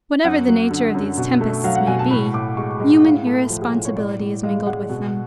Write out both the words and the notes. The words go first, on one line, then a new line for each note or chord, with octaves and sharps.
Whatever the nature of these tempests may be, human irresponsibility is mingled with them.
F#2 F#5
F#3
D3
F#2
B2
A3
F#3 F5
F#5
B2 G#5
A5
A2 B5
A2 D6
G#3 C#6
G#3
A2 F5
A3
F3
G#4
A2
C#5
A2 D5
A2
G#3 F5
G#3 F#5
B2